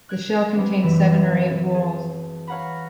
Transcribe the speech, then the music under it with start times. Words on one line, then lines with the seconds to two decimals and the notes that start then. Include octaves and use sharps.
The shell contains seven or eight whorls.
0.09 F#6 G#6 D7
0.55 G3 B3 C4 D4
0.82 F#2 E3 E5
1.70 G#4 A5
2.47 C#5 F5 F#5 A#5 B5